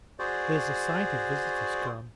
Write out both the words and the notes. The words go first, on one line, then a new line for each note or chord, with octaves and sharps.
There's a sight of visitors come.
F#4 G#4 C5 D5